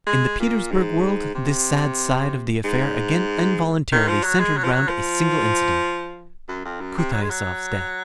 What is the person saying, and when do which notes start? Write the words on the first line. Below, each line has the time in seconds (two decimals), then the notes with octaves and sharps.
In the Petersburg world this sad side of the affair again involuntarily centered round a single incident: Kutaysov's death.
0.07 G#3
0.39 A#2
0.72 G#2
1.35 C3
2.64 G#2
3.92 D#3
4.08 F3
4.24 F#3
4.40 G#3
4.57 F#3
4.64 F3
4.72 F#3
4.89 F3
6.48 F#2
6.65 F2
6.81 F#2
6.98 C3
7.13 F#3
7.22 G#3
7.30 F#3